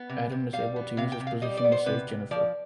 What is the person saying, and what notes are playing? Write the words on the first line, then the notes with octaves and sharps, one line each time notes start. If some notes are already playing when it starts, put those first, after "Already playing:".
Adam is able to use his position to save Jennifer.
Already playing: B3
C3
C3
G3 F5
B3
C3 F5
G5
C3
F5
G3 D#5
D5
B3
C5
C3 B4
C3
F3 D5